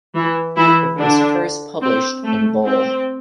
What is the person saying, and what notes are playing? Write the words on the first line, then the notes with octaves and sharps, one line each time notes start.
It was first published in Bull.
E3 E4
E3 E4
D3 D4
C4
A3
C4